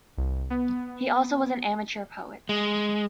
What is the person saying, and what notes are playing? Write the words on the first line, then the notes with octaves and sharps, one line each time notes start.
He also was an amateur poet.
C2
B3
G#3